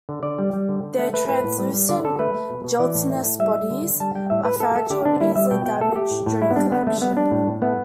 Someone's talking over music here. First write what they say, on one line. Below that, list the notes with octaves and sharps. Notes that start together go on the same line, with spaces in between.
Their translucent, gelatinous bodies are fragile and easily damaged during collection.
D3
D3 D5
G3
G3
D3
D3
A3
A3 B4
A2 B4
A2
G3
G3
D3 D5
D3 A4
A3 B4
A3
B2
B2
E3 D5
A2
A3
A2
G3 E5
G3
D3
D3
G3 A5
G3 G5
A2 E5
A2 B4
A3 A4
A3 A4
D3 G4
D3 D4
G3 E4
G3 E5
B2 G5
B2 G5
A3 A4
A3 G4
A2
A2
G3 E4
B3
G3 D4
D3 B3
D3 A3
G3 B3
G3 D4
A2
A2
A3 B3